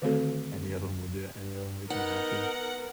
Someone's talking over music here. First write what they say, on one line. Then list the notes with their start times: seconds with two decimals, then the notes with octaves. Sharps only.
Any of them will do it, any of them make me happy.
0.02 D3 D#3 A3 C4 F#4 A4
1.90 B3 D#4 A#4 F#5